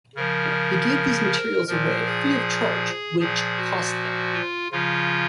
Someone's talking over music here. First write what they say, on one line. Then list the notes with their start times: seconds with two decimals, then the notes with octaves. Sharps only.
He gave these materials away free of charge, which cost them.
0.16 C#3 F3 A#4
1.68 A#2 F3 A#4
2.06 G#4
3.20 A#2 F3 G#4
3.57 F#4
4.34 F4
4.72 C#3 F3 F4